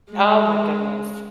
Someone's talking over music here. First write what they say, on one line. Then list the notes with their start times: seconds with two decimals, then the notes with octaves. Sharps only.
Oh, my goodness.
0.10 G#3